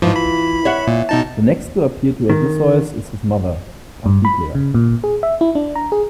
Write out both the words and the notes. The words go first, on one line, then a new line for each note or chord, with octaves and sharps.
The next to appear to Odysseus is his mother, Anticlea.
G#2 E3 F3 F4
B5
C#5 E5 F#5
A#2
B2 D#4 A5
D#3
G2
B5
C#3
A#2
G#4
E5
E4
D4
A#5
G#4